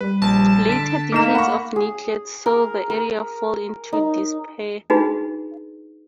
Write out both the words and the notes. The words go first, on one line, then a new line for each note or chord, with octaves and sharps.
Later decades of neglect saw the area fall into disrepair.
G3 B4
A#1 A5
D3 B6 D7
A3 A#3 D#4 E7
F#5 B5 C#6
G#4
A#4
A#4
D#4
D4 D#4 F4 F#4 G#4 B4